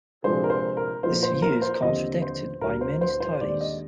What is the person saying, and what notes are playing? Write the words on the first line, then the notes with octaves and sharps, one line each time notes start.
This view is contradicted by many studies.
C3 F3 G#3 D4 C5
A#4
C5
A#4
A#2 F3 A#3 D#4 C5
C5
A#4
C5
D#2 D3 F3 C4 D#5
C5
D2 D3 G3 A#4
C5
C5
C5
D#2 D#3 G#3 D4 D5
D#5